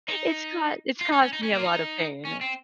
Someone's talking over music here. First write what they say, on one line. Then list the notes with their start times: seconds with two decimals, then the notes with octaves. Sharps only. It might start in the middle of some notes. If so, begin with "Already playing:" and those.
It's cau it's caused me a lot of pain.
0.08 D#4
1.01 F4
1.12 D#4
1.22 C#4
1.33 D#4
1.43 C#4
1.53 A#3
1.59 F4
1.64 D#4
2.25 C#4
2.41 C4